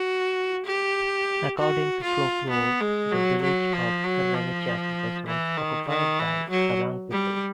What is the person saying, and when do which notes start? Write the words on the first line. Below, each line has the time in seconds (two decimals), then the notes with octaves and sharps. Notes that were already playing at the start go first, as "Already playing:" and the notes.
According to folklore, the village of Ramechhap was once occupied by Tamang people.
Already playing: F#4
0.66 G4
1.58 F#4
2.03 F4
2.50 B3
2.81 G#3
3.11 F#3
3.42 F#3
3.73 F3
4.04 F#3
4.34 F3
5.27 E3
5.57 D#3
5.89 D#3
6.19 E3
6.50 F#3
7.12 G3